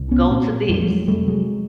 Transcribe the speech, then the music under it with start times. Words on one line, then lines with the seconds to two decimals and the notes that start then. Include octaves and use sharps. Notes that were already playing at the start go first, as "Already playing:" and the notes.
"Go to this,
Already playing: C2
0.11 B3 C#4
0.30 A#2 A#3 C4
0.69 F2 F3 G3
0.82 A3
0.88 F#3 G#3
1.08 C3 G3 A3
1.28 F#3 G#3